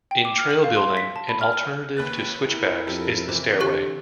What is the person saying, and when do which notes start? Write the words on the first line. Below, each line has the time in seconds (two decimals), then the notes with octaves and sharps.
In trail building, an alternative to switchbacks is the stairway.
0.11 G5
0.25 D6
0.38 F6
0.51 F#7
0.64 F5
0.76 C6
0.97 B6
1.16 A5
1.29 B5
1.41 F6
1.53 F6
1.97 D#2 B4 F#6 A6
2.48 E4 A#4
2.87 F2 G4 A4
3.29 C3 E3
3.60 D3 G4 C#6 F#6